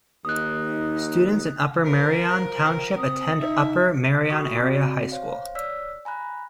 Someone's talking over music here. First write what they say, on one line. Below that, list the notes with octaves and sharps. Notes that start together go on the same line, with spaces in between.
Students in Upper Merion Township attend Upper Merion Area High School.
D#2 D#4 D#6 F#6
F3 A#4
C4 D#6
D#4 E5
F#4 A4 C#6 D#6
C4 F#4 D5
C5 C#5 F5
C#5 D5 E6 F6 B6
G#5 A#5 B5 F#6